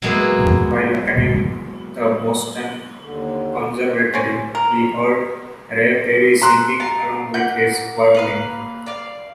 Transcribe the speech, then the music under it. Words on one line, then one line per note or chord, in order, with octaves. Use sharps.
While attending the Boston Conservatory, he heard Ray Perry singing along with his violin.
F#3 G#3 A#3 B3 E4
D#2 D3
C4 C#4
A#4
A4 A#5 C6 F#6
A#4 F5 A5
A#3 F#5 G6
A#3 B4 F5
D5 F5